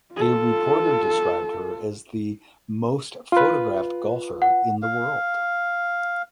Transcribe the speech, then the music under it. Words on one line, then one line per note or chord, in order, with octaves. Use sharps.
A reporter described her as the "most photographed golfer in the world".
F4 A4
F4 B4
F#5
F5